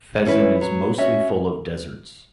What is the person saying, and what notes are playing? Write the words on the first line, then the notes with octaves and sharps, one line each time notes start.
Fezzen is mostly full of deserts.
E3 C#4 E4 B4
F#3
C#4 F#4 C#5 E5